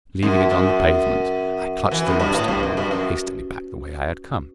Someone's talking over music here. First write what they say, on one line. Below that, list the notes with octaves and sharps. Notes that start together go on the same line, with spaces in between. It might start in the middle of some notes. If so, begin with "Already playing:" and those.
Leaving it on the pavement I clutched the lobster and walked hastily back the way I had come.
F#2
F#2
E3
F#2
G2
A2
G2
F#2
G2
F#2